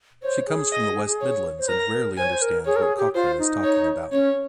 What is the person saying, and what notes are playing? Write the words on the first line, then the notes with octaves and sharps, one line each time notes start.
She comes from the West Midlands and rarely understands what Cochrane is talking about.
C5 C#5
G#4
D#5
C#5
C5
A#4 A#5
A#4
C5 G#5
C#5
C5
A#4
G#4 C#5
A#4
G#4
G4
F4 C5
D#4
C#5
C#4 C#5